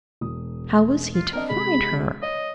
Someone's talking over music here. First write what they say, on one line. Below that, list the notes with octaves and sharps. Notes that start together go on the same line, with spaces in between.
How was he to find her?
E1 D#6
F4
C4 D4 A#4 D#5
C3 G#3 B5
C#5 D#5